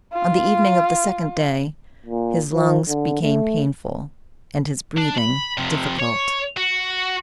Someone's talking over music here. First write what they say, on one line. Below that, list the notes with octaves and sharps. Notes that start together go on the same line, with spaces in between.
On the evening of the second day his lungs became painful and his breathing difficult.
F4
A#2
F3
D3
A3
D4
B5
F2 C3
C#5
F#4